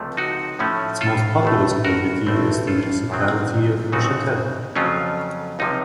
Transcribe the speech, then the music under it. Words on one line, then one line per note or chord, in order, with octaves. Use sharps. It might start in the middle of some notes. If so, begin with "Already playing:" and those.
Its most populous community is the municipality of Boischatel.
Already playing: C#2 C3 F3 A3
D#4 F#4
A2 F3 A3 C#4
F4 A4
A1 A2 A3
F#4 A#4
A1 A2 A3 C4
F4 A4
F#2 D#3 F#3 C4
D#2 C#3 A3 C4 D#4 F#4
F2 C#3 F#3 A3 C#4 F4
C#2 C3 F3 D#4